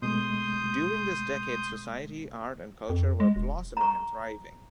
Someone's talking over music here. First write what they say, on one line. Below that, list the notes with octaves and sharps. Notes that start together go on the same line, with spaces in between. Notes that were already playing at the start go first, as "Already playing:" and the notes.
During this decade society, art and culture were blossoming and thriving.
B2 G#3 A3 C6 D#6 G6
F2
G#3
E1
A#5 C#6